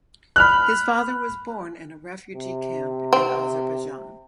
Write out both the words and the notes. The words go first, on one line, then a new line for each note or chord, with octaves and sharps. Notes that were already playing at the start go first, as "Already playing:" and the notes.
His father was born in a refugee camp in Azerbaijan.
B5 F6 F#6
C3
C4